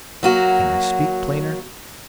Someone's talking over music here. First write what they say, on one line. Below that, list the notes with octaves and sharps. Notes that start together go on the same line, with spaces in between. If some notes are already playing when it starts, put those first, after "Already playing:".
Can I speak plainer?
F#3 A#3 F#4